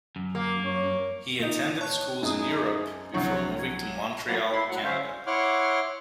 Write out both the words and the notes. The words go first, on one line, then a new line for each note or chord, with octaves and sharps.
He attended schools in Europe before moving to Montreal, Canada.
F#2
A#3
C#5
A#2 D#4 G6 F7
C#5 A5 F#6
F#2 D#4 E4 G#4 D#6
C2 F3 F#3 D4 E4 C#6
F#3 G#6
E2 F#3 A#3 B3
A2
E4 B5 C6
A2 F#3 F#5
D3 C#4 C5 E5 F5
E4 C#5 F#5 C6 D6 F6